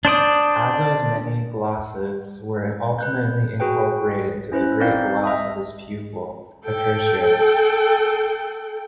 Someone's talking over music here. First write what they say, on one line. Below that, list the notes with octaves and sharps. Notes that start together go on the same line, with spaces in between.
Azo's many glosses were ultimately incorporated into the Great Gloss of his pupil, Accursius.
D4 C5 D5 D#6
B4 F#6 G6
F#4 G#4 B4 G5
C#4 E4 B4 C5 F#6
C4 D#4 D5 F5 G6
D#5 E5 D#6
A4 G5